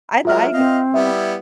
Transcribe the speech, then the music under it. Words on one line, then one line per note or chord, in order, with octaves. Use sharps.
I I
F#3 G#3 F4 A#4 E5 F6
C4 D#5 F5
G3 B3 E4 E5